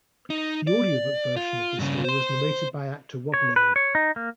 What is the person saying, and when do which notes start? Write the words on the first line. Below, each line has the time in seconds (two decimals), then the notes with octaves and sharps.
The audiobook version of this story was narrated by actor Rob Lowe.
0.30 D#4
0.67 D5
1.36 F4
1.79 G2 C#3
2.05 C5 C6
3.34 C#5
3.56 B4
3.76 C#5
3.95 D#4
4.16 A#3